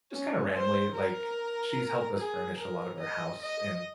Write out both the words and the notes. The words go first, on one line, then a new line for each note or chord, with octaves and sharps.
Just kinda randomly, like, she's helped us furnish a lot of our house, and
C#4
C5
A#4
G#4
A#4
D#5
D#5